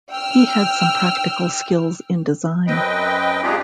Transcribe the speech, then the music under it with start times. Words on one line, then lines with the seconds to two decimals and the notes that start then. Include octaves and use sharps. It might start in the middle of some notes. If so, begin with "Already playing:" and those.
He had some practical skills in design.
0.10 G5 E6 F6
2.67 F#2 C4 B4 D#5 G5
3.43 G#3 D4 D#4 F4 G4 G#4